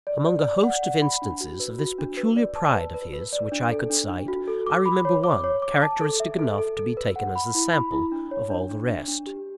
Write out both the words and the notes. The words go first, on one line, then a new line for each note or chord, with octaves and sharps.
Among a host of instances of this peculiar pride of his which I could cite, I remember one, characteristic enough to be taken as a sample of all the rest.
D5
D5
D5
F#5
F#5
B5
D4
F#4
B4
F#4
D4
B4
D5
A5
B4
B4
B4
D5
D4
A4
D4
D4
F#4
A4
D6
B5
C#5
D6
C#5
D6
A5
A4
E5
A4
A4
A4
B4
F#5
B5
E4
B5
E4
D4
C#5
D4
D4
D4
D4
G4